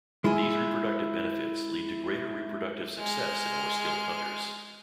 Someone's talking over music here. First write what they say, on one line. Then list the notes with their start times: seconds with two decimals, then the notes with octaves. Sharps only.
These reproductive benefits lead to greater reproductive success in more skilled hunters.
0.24 G#3 E4 F4 G#4
2.98 G#3 F6